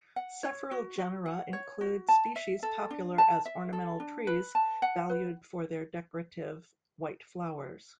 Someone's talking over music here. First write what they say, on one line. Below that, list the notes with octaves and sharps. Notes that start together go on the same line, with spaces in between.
Several genera include species popular as ornamental trees valued for their decorative white flowers.
F#5
C#5
F#4
F#4
F#5
C#5
F#4
A5
E5
A4
D4
A5
E5
A4
D4
B4
A5
F#5
B4